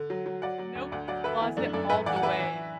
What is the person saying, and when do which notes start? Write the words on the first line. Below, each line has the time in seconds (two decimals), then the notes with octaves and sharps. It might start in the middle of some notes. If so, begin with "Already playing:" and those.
Nope, closet all the way.
Already playing: D3
0.10 F#3
0.26 F#3
0.42 F#3 D5 F#5
0.58 F#3
0.75 D2
0.92 D2 D5 F#5
1.08 F#3 D5 F#5
1.24 D3 B4 E5
1.41 E3 B3 E4
1.57 F#2 A3 D4
1.73 F#2 A4 D5
1.90 A2 B4 E5
2.06 E3 D5 F#5
2.16 F#5
2.23 E3 B4 E5
2.40 E3